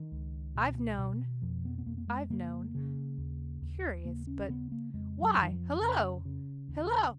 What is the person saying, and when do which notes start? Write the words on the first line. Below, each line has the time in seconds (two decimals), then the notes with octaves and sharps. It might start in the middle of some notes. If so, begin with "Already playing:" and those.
I've known--I've known--curious, but--Why--Hello--hello!
Already playing: D#3
0.12 C#2
0.55 B2
0.98 B2
1.42 F2 F3
1.65 B3
1.78 B3
1.86 F2 A#3
1.98 A#3
2.08 G#3
2.30 C#3 A#3
2.75 C#3
3.18 D#2
3.62 D#2
4.05 C#3 A#3
4.27 C#4
4.49 C#3 B3
4.72 A#3
4.94 F2 G#3
5.22 F#3
5.37 F2 D#3
5.51 F3
5.81 C#3
6.25 C#3
6.68 D#2